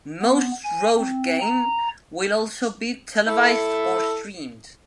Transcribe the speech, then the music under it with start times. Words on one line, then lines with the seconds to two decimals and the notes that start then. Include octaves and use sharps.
Most road game will also be televised or streamed.
0.22 B3
0.64 G#5
0.98 C4
1.41 A#5
3.27 E4 A4